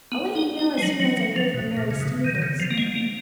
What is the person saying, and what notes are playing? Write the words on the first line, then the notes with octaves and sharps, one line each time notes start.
"I'll let you know as soon as I hear from Mary Stevens."
B3
D#4
D#4
G#3
F#3
F#3
F#3
F3
B2
A#2
C#3
B2
D#3
D#3
C#3
F3
A#3
G#3
A#3